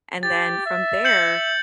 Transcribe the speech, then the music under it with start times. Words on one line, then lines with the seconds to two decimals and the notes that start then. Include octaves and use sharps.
and then from there,
0.23 G4 A6
0.66 E5
1.05 G6 C#7 F#7